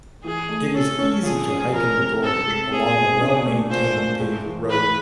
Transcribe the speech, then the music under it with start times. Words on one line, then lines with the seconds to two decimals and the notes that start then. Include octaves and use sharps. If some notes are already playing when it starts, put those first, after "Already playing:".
It is easy to hike in the gorge along a well-maintained paved road.
0.24 E3 G#4
0.49 A3
0.74 C#4 A4
0.98 C#4
1.23 F3 G#4
1.48 C#4
1.73 F3 A#4
1.97 C3
2.22 C4 A4
2.46 G#3
2.71 C4 G#4
2.96 B2
3.21 D4
3.45 A3
3.70 A#2 C5
3.95 A3
4.20 G#3
4.44 E3
4.69 E3 B4